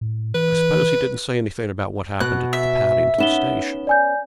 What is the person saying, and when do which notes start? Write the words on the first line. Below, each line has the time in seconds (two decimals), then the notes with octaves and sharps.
"I suppose he didn't say anything about what happened at the Paddington Station?"
0.01 A2
0.34 E3 B4
2.20 B2 F#6
2.53 E5
3.18 B3 C#4 D#4 E7 G7
3.87 D5 G#5 G6